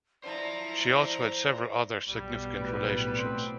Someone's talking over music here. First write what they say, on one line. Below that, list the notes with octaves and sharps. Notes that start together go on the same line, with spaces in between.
She also had several other significant relationships.
E4 C5 D5 A5 A#5
B1 B2 G3 B3
A2 B4
C4